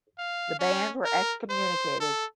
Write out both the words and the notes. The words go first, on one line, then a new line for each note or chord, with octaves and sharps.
The bands were excommunicated.
F5
C#4
A#4
C5
A4